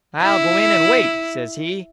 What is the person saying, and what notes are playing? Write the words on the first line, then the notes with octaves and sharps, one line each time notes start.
'I'll go in and wait,' says he.
E4